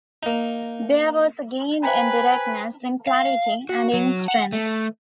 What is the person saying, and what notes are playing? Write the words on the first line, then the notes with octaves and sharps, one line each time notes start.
There was a gain in directness, in clarity, and in strength.
A#3 D#4
B4 C5 G5 G#5 A#5 B5
F5
F#4
F#3
F#5
A3